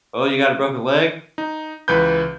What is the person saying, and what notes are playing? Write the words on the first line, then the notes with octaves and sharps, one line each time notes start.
"Oh, you got a broken leg?"
D#4
C#2 E3 B4 B5 G6